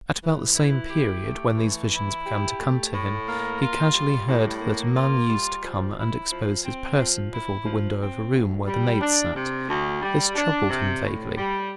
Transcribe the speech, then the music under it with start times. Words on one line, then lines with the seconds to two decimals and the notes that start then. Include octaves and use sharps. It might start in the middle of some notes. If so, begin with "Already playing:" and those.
At about the same period, when these visions began to come to him, he casually heard that a man used to come and expose his person before the window of a room where the maids sat; this troubled him vaguely.
0.22 E3
0.55 E4
0.90 G4
1.23 A3
1.57 E3
1.91 E4
2.25 G4
2.59 A3
2.92 A2
3.27 A#3
3.60 F4
3.93 G3
4.27 A2
4.61 A#3
4.95 F4
5.30 G3
5.63 F3
5.96 E4
6.30 F3
6.64 C4
6.97 F3
7.32 E4
7.65 F3
7.99 C4
8.33 D2
8.67 G3
9.01 D4
9.34 C3
9.69 D2
10.02 G3
10.35 D4
10.70 C3
11.03 A2
11.38 G3